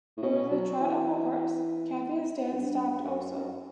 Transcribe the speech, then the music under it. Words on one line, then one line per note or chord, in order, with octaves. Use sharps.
It was the trot of a horse; Cathy’s dance stopped also.
A2
B2
F#3
E3
F#2
G2
F#2
F#2